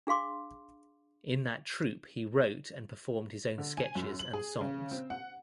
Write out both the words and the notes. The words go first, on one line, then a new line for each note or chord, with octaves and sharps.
In that troupe he wrote and performed his own sketches and songs.
D4 G#4 F5 C6 D6
D3
G#5
F#2
F#7
G#4
C#3
C4
F#5